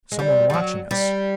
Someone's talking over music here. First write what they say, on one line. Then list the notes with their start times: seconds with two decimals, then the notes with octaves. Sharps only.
Someone watching us.
0.12 G#3
0.19 G3
0.50 G3
0.54 F#3
0.91 G3